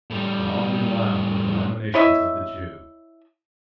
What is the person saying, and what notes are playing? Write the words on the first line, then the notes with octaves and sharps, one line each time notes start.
Long and loud were the lamentations of the Jew.
A2 G3
E4 C#5 D#5 E5